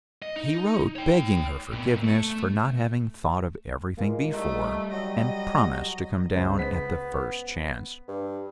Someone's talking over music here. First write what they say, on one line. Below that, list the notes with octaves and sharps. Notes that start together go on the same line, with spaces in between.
He wrote begging her forgiveness for not having thought of everything before, and promised to come down at the first chance.
D#5
D#4
C#5 G5
A#2 B3
A3
A#2 E3 G#3 A#3
G3 A3 D#4
F#3 D#5
C#2 C5
B3 B6
G2